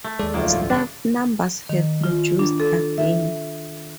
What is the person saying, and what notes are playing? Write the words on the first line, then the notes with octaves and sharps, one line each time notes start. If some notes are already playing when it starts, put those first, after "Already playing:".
Staff numbers have reduced again.
A3
D#2 G#3 A4 D5
C#2 D3 D#3 F3 F#3 A3 A#3 F4
A1 G2
C#3 D4
D#3
F4
D4
A4
E5